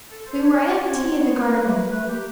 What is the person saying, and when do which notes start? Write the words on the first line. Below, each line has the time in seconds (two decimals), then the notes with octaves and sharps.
We were at tea in the garden.
0.10 A4
0.27 C5
0.43 C#5
0.55 D5
0.63 D#5
0.68 D5
0.80 C#5
0.87 C#4
0.92 C4
1.17 B3
1.42 A#3 B4
1.58 A#3
1.66 A3
1.91 A3 B4
2.07 A#3 G4